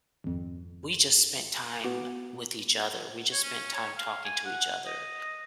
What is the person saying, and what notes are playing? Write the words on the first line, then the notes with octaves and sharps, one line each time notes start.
we just spent time with each other? We just spent time talking to each other,
G#1 F2
B3 F#4 D6
C#5
C#4
C#5
F5
G#5
F#5
D#5